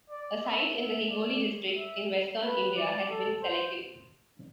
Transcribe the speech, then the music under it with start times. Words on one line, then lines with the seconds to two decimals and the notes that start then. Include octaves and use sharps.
A site in the Hingoli district in western India has been selected.
0.10 D5
0.43 E5
0.76 E5
1.10 D5
1.76 E5
2.43 B4
2.77 D5
3.10 A4
3.43 C5